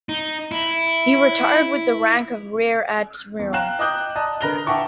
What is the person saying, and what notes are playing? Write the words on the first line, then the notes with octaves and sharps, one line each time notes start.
He retired with the rank of Rear Admiral.
D#4
E4
E2
F5 G5 A#5 F#6 E7
D#5 G5 D6 D#6 F#6 G6
D5 D#5 A5 A#5 D#6
D3 A#4 B4 A#6 F7 G7
E5 F#5 G5 A5 C#6 D6